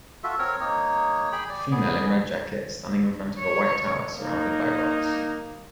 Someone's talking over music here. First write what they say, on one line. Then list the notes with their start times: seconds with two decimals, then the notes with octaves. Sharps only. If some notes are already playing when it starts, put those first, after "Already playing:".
Female in red jacket standing in front of a white tower surrounded by rocks.
0.24 F4 F#4 A4 E5
0.39 C4 A#4 C#5
0.60 A#3 D#4 C#5
1.32 G#4 G5 B5
1.49 D5
1.71 B3 G#4
3.39 C#5
4.18 A#3 D#4